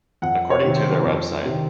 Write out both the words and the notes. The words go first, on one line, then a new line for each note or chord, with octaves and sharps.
According to their website.
F2 F#5
C#5
C3 D#3
C5
F2
C3 D#3